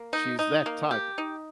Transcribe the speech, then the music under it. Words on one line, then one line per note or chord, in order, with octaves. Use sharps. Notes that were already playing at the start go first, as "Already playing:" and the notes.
She's that type.
Already playing: A#3
D#4
D#4
A#3
G4
D#4